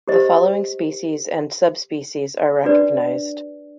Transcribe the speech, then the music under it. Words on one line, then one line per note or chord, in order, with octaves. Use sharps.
The following species and subspecies are recognized.
G4 C5 D#5
D4 F#4 B4 D5